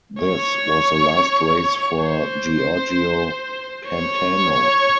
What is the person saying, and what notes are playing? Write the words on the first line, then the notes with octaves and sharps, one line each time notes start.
This was the last race for Giorgio Pantano.
C#5
C5
C#5